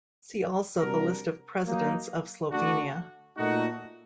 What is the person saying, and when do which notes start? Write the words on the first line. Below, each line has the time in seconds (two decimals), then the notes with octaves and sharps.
See also the list of presidents of Slovenia.
0.78 C3 G3 D4 F#4 A#4
1.64 F#3 A#3 D#4
2.50 D3 A3 D4 F#4
3.37 A#2 A3 D#4 F#4